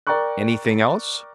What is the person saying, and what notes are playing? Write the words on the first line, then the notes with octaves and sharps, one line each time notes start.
"Anything else?"
A#4 D5 G5 A#5 C#6 F#6